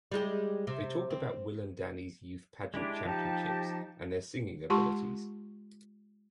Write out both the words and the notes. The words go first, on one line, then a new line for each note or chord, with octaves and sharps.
They talk about Will and Danny's youth-pageant championships and their singing abilities.
G3 G#3 G4
C3
C4
G#3 D4 E4 G4
F3 D#4 G4 A5
G#3 F4 G4 A5 C6 C#6